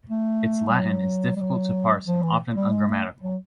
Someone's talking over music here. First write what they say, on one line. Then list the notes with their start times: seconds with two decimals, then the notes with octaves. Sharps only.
Its Latin is difficult to parse and often ungrammatical.
0.09 A3
0.68 G3
0.74 F#3
1.36 G3
1.41 F#3
2.07 F3
2.23 E3
2.55 G3
2.72 G#3
2.88 A3
3.22 F#3